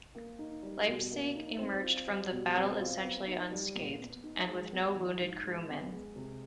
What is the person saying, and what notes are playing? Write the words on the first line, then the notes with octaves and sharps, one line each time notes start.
"Leipzig" emerged from the battle essentially unscathed, and with no wounded crewmen.
A#3
D#4
G3
B2
A#3
D#4
C4
F4
G3
B2
C4
F4
B3
D#4
G3
A#2
B3
D#4
G#3
B3
E3
G#2
G#3
B3
G#3
C3